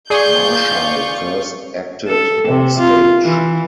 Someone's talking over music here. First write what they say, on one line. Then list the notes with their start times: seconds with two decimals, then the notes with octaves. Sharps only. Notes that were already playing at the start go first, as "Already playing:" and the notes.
Marshall first acted on stage.
0.10 F4 G#4 D5 C#6 G6
2.07 A4
2.48 C3
2.80 F4
3.22 E3